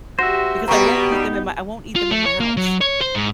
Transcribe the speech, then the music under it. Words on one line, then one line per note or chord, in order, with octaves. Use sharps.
Because I won't eat them in my I won't eat them in my house.
F#4 G4 C5 E5 A#6
B2 G3 B3 G4 A#5 C#6
D#4
F4
A3
C#5
A#3
F#3
C#5
C5
G#2